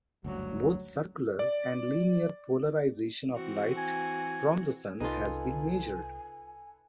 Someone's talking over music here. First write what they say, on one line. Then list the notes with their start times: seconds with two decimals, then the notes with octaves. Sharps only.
Both circular and linear polarization of light from the Sun has been measured.
0.24 F#1 D2 G2 F#3
1.39 D5
3.33 E3 C4 F#4
3.77 G#5
5.00 C2 D#4 F4 A4 B4 G#5